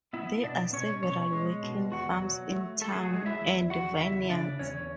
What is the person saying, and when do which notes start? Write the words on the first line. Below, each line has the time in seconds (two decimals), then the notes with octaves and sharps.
There are several working farms in town and vineyards.
0.13 B3 E4 E5
0.44 B2 D4 D5
0.73 B2 C#4 C#5
1.03 B2 C#4 C#5
1.33 G#3
1.63 B2
1.92 E2 F#4 F#5
2.22 F#3
2.52 A3
2.81 A3 A4
2.92 G#4
3.02 F#4
3.11 F#3 G#3 G#4
3.26 E4 E5
3.41 E2
3.70 E2 F#4 F#5
4.01 C#3 E4 E5
4.30 C#3 D4 D5
4.59 E2 C#4 C#5